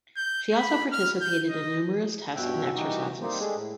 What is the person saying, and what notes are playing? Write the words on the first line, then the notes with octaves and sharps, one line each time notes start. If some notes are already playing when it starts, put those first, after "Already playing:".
She also participated in numerous tests and exercises.
G6
B5
F6
G6
D#5
G2 B2 C#5 E5 F#5 G5
D#3 E3 G3 D#4 F#4 G4
G3 A#3 C4 D#4 G4 C5
G#3 A3 D4 G4 G#4
A2